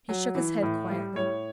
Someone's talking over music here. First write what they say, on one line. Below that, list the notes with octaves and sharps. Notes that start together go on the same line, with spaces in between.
He shook his head quietly.
F#3
E3
A2
G3
A2 C#5